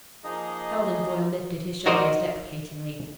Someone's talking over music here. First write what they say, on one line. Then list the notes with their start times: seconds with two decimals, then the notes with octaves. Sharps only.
Heldon Foyle lifted his shoulders deprecatingly.
0.24 F3 A#3 D#4 G#4 D#5
1.86 D#4 F#4 A#4 C5 D5 D#5